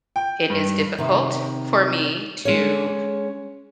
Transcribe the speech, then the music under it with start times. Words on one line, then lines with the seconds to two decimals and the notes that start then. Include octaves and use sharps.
it is difficult for me to
0.16 G5
0.50 G2
0.98 C3 D#3
2.45 G#3 C#4 C#5